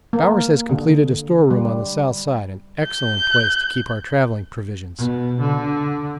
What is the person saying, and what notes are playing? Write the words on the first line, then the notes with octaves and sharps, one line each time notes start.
Bowers has completed a storeroom on the south side, an excellent place to keep our travelling provisions.
A#3
D3
G3
G6
B2
D3